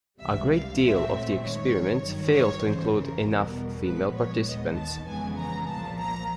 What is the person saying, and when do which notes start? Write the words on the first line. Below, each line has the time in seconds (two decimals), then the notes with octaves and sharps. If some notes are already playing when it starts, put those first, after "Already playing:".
A great deal of the experiments fail to include enough female participants.
0.19 C#2 C3 E3 G3 E5
0.50 F5
0.80 A#2 F#3 A3 C4 E5
1.41 F#2 D#3 G#3 C#5
2.02 G2 D#3 F#3
2.33 C#5
2.63 E2 C#3 E3 C5
2.93 A#4
3.24 E2 B2 G3 B3
3.84 A#2 F3 G#3 B3 B4
4.15 C#5
4.45 D#2 D#3 G#3 B3 D#5
4.75 A5
5.06 F2 C#3 E3 G#3 B3 G#5
5.37 A#5
5.67 C2 A#2 F3 A5
5.97 A#5